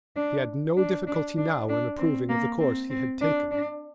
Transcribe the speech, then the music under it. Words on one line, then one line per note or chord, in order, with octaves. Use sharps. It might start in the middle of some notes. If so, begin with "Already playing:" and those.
He had no difficulty now in approving of the course he had taken.
D4
D4
D4
D4
D4
C4
A#3
C4
C4
D4
D4